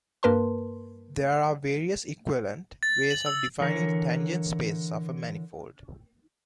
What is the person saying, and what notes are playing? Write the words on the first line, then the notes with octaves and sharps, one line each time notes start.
There are various equivalent ways of defining the tangent spaces of a manifold.
G2 A#3 A#4 B4 A5 C6
A6
F#7
E6
D3 E3 A#4 C#5